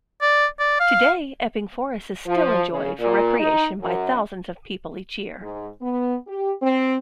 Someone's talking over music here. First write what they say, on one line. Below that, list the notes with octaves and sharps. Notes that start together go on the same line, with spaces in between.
Today, Epping Forest is still enjoyed for recreation by thousands of people each year.
D5
D5
F5
F3
C#3
A#2
D#4
F#2
G#2
B3
G4
C4